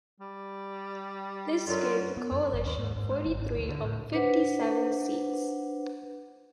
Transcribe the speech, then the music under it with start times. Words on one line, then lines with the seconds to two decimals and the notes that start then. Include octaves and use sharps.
This gave the coalition forty-three of fifty-seven seats.
0.20 G3
1.67 F#2 D3 F#3 F4
2.17 B3
2.32 F#2
2.52 G#1
2.66 D#2
2.77 G#2
2.97 G#2
3.10 G#2
3.25 G1
3.39 G#1
3.57 D2
3.69 D3
3.84 A2
4.13 D4 B4 C5 F#5